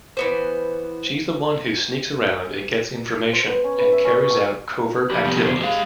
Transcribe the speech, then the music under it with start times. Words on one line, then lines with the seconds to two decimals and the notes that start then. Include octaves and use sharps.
She's the one who sneaks around and gets information, and carries out covert activities.
0.17 E3 B3 C5
3.32 C5
3.47 B3
3.64 C#4
3.78 B4
3.92 E5
4.05 C#4
4.30 E6
5.10 F2 G4 B4
5.25 C2 B3
5.45 E2 C5
5.62 G#3 G4 F5